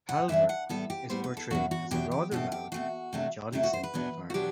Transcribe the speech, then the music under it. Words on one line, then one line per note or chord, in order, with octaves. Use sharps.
Palver is portrayed as a rather loud and jolly simple farmer.
F#5
F#2 E3 G3 D4 E5
F#5
A2 G3 B3 A4
G4
A2 G3 B3 C5
B4
A4
E2 B2 F#3 F#4
F#4
E2 B2 F#3 G4
G4
B2 A3 C4 A4
G4
B2 A3 C4 F#4
C3 F#3 A3 D4
C3 F#3 A3 D4 E4
F#4
C5
B4
E2 B2 F#3 B3 D4
F#4
B2 F#3 B3 D4 G4